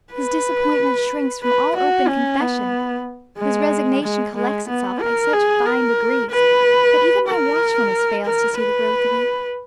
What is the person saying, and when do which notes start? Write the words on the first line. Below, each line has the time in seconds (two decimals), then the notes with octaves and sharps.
His disappointment shrinks from all open confession; his resignation collects itself by such fine degrees that even my watchfulness fails to see the growth of it.
0.13 B4
1.43 B4
1.76 F#4
2.08 C#4
2.41 B3
3.38 G#3
4.04 G#3
4.36 G#3
4.68 B3
5.01 A#4
5.33 G#4
5.66 A#4
6.31 B4
7.28 A#4
8.26 A#4
8.58 B4